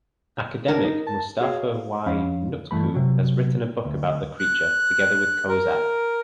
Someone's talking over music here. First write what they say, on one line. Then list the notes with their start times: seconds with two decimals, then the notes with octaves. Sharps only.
Academic Mustafa Y. Nutku has written a book about the creature, together with Kozak.
0.68 D4 A#4
0.85 D#4
1.07 A5
1.41 F#4 G#4 C#5 F5
2.06 F2 C#4 F5 B5
2.71 G2 E3 A3 B5
2.95 C3 F#3
3.85 D2
4.40 F#6
5.49 A#4